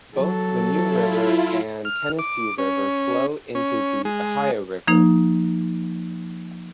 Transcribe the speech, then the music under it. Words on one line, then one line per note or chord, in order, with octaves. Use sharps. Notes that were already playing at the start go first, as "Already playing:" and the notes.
Both the New River and Tennessee River flow into the Ohio River.
F#3 A4
E4 F4
F6
D6
C#4
C#4
G#3
F3 A#3 D#4